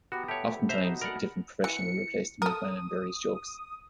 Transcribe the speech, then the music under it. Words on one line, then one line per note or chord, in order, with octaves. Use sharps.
Oftentimes, a different profession will replace the milkman in various jokes.
B3 F#4 G4 A#5
A3 G4 C#5 E6
C5 E5 A#5
D#4 F#4
A#4 D5 F#5 B5
E3 C#7
A4 A#4 D#6